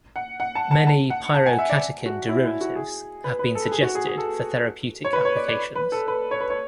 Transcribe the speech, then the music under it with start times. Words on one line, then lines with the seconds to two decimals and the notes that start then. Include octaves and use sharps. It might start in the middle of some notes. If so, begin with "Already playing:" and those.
Many pyrocatechin derivatives have been suggested for therapeutic applications.
0.16 F#5
0.40 F#5
0.55 A5
0.71 A5
0.87 A5
1.10 F#5
1.34 A5
1.46 G#5
1.59 E5
1.70 D5
2.06 F#4
2.29 E4
2.45 E4
2.61 F#4
2.76 G#4
3.24 B4
3.39 B4
3.55 A4
3.72 G#4
3.83 F#4
3.95 G#4
4.07 G#4
4.18 A4
5.05 C#5
5.13 B4
5.25 C#5
5.36 D5
5.48 D5
5.75 B4
5.92 A4
6.08 B4
6.31 C#5
6.41 B4
6.50 C#5